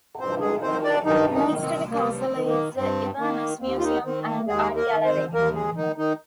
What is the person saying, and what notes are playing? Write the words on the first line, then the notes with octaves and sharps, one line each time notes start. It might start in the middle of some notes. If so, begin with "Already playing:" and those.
Next to the castle is the Inverness Museum and Art Gallery.
G2 C4 C5
G#3 G#4
D#3 C4 C5
D4 D5
G2 D#3 D#4
D#3 D#4
D#3
C4
G2 A#3
C4
D#3
A#3
G2 C4
D#3 A#3
D#2 C4
F4
D#3 D#4
D#3 C4
A#3
D#2 G#3 G#4
A#3 A#4
D#3
C4 C5
D#2 A#3 A#4
G#3 G#4
D#3 D#4
D#3 D#4